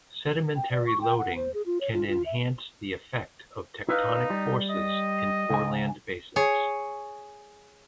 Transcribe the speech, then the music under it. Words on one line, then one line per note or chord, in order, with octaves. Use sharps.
Sedimentary loading can enhance the effect of tectonic forces in foreland basins.
G5
D5
C#6
G5
F#5
C5
G#4
F4
C#5
F4
F4
E5
D#4 E4 B4 F5
G3
D#5
C#2 G#5
G#4 C#5